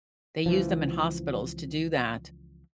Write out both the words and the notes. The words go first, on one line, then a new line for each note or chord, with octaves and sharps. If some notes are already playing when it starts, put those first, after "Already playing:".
they use them in hospitals to do that.
C#2 E3 F3